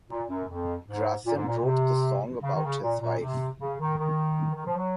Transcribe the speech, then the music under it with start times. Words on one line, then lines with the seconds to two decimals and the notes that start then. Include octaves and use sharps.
Gracin wrote the song about his wife.
0.09 A#2
0.28 F#2
0.47 F2
0.87 G#2
1.25 A#2
1.35 G#2
1.47 A#2
1.58 A#2
1.64 C3
2.43 C#3
2.54 D#3
2.64 C#3
2.81 A#2
3.00 A#2
3.20 C3
3.59 C#3
3.79 D#3
3.98 D#3
4.54 D#3
4.65 F3
4.76 F#3